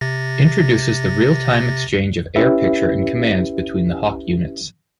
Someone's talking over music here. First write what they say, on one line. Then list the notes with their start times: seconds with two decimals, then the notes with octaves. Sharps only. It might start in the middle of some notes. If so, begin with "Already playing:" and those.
Introduces the real-time exchange of air picture and commands between the Hawk units.
0.01 C3 A6 A#6
2.36 C#4 E4 G4 B4 E5